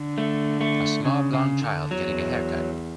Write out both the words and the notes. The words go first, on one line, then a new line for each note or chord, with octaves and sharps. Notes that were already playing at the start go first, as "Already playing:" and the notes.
A small blond child getting a haircut.
Already playing: D3
A3
A3
C#3
C#3
D3
E2 F#3